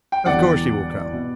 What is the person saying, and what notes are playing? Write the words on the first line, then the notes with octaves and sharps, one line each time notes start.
"Of course he will come."
G5
E1 E2 D3 G3 D5 F#5
B2